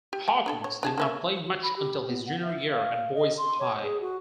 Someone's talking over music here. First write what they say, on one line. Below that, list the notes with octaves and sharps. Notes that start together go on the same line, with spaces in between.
Hawkins did not play much until his junior year at Boys High.
G4
G5
D4 G#4 A4
C#5
D4 G#4 A5
A#3 C#4 E5
F#4
B5
G4
B3
F#5
E5
F5
D#5
C6
C#5
G#4
F#4